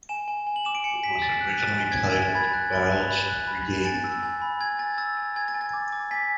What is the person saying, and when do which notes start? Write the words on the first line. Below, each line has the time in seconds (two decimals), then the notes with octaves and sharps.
It was originally titled, "Valis Regained".
0.09 G#5 E7
0.28 G#5
0.47 G#5
0.56 F#7
0.65 D6 E7
0.75 D7
0.84 G#5 C#7
1.03 G#5 B6
1.22 G#5 A6
1.41 F#6
1.59 F#6 A6
1.79 G#5
1.92 G#6
1.97 G#5 A6
2.10 G#6
2.16 G#5
2.22 A6
2.35 B5 G#6
2.54 F#6
2.73 B5 A6
2.91 F#6
3.10 B5
3.28 F#6
3.47 B5
3.67 B5
3.85 G#5 A6
4.04 E6
4.23 G#5
4.42 B5
4.61 G#5 G#6
4.79 G#5 A6
4.98 E6 A6
5.17 G#5
5.36 G#5 G#6
5.48 A6
5.55 G#5
5.61 A6
5.73 D6
5.92 D6
6.11 G#5 B6